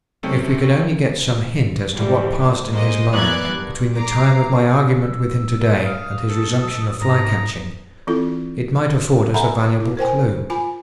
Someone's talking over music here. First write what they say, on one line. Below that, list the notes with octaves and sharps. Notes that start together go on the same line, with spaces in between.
If we could only get some hint as to what passed in his mind, between the time of my argument with him to-day and his resumption of fly-catching, it might afford us a valuable clue.
F#2 C3 A3 C4 C#4
G#2 D3 E3 G3
G#3 A#3 C5 D#5
E3 B3 A#4 D5 F#6 G#6
G2
A#5 D6 C7
E6
F5 D#6
A4
G#2 A#5
E3 C4 E4 F4 A4
A4 E5 F#5 G#5 A#5 B5
E4
A#4 C5 G5 G#5
F4 G#5 B5